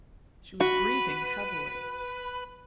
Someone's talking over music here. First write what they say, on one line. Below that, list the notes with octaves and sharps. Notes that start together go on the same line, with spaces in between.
She was breathing heavily.
F#4 B4